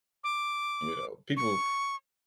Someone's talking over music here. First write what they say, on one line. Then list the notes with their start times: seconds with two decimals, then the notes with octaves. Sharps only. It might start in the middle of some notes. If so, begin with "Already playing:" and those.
you know, people
0.24 D6
1.37 C#6